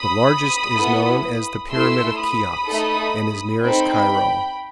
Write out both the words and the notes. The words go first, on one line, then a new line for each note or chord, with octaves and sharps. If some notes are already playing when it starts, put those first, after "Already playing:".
The largest is known as the Pyramid of Cheops and is nearest Cairo.
Already playing: B5 D#6
B3 E4 A4
A3 E4 A4 C6 E6
B5 D#6
A3 D#4 A4
C4 D#4 A4 G5 B5